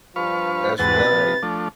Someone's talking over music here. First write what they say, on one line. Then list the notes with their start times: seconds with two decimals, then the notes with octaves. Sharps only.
that's right.
0.16 G2 F3 B4 F5 C#6
0.79 E2 G#2 C3 B4 F#5 A6
1.13 F3
1.43 F3 A3 D4